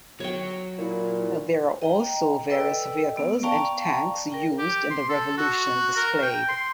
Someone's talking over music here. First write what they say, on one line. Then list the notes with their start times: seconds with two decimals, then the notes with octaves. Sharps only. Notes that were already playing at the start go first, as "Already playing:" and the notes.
There are also various vehicles and tanks used in the revolution displayed.
0.20 F#3 C#5 G5
0.78 A#2 E4
1.82 D#5 G5 A#5
2.49 A4 B4 D5 D#5 G5 E6
3.17 B3
3.43 D5 F5 G5 A5 A#5 C#6
4.32 A#4 G5
4.58 G4
4.90 C6
5.09 A4
5.38 F#4
5.96 A#4
6.22 G5
6.49 C6